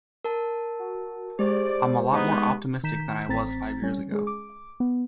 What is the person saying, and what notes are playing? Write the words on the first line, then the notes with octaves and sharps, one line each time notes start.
I'm a lot more optimistic than I was five years ago.
A#4 A5
F#4
G#3 G4 C5 D5
B3 D#4
D#3 A#5 G6 B6 E7
A1 C4 A#5 A6 B6
G3 C#4
G#3 G#4
D6
B3